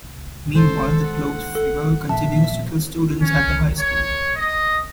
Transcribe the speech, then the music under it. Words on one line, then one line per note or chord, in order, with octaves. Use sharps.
Meanwhile, the cloaked figure continues to kill students at the high school.
G#3 A4 C5
F#5
A4
A#2 F3 E5 A5
C#4
C#5
D#5